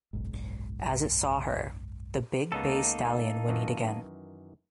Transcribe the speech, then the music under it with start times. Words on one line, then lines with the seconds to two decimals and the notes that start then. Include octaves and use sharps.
As it saw her, the big bay stallion whinneyed again.
0.13 F#1 B1 G#2
2.52 C#2 C#3 A#3 B3 D#4 A4
3.48 F#2 D#3 E3